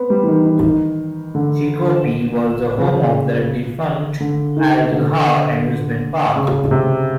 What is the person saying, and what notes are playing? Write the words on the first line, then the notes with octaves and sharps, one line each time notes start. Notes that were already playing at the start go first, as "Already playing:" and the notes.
Chicopee was the home of the defunct Idlehour amusement park.
Already playing: B3 C4
G3
E3
D#3
D#3
D#3
D3
C#3
D3
D#3
D3
C#3
C3